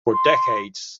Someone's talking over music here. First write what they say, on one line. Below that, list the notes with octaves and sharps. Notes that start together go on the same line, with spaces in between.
For decades.
C6